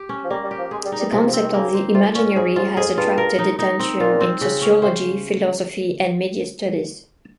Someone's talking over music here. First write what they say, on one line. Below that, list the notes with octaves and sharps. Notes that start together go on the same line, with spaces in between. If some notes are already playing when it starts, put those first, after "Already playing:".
The concept of the imaginary has attracted attention in Sociology, Philosophy, and Media studies.
Already playing: G4
C#4
F3
G3 A#3
G3
G4
F3
G#3 G#4
G3
D#4
G3
C3 F3
F3
C4
D#3
C#3 A#3
C5
C3 F4
A#2 C#4
G#2 G#4
G#2 F4
F2 G#4
G2 F4
A#4
D#4
D#4
C4
A#2 F4
C4
C#3
C#4
C3 C5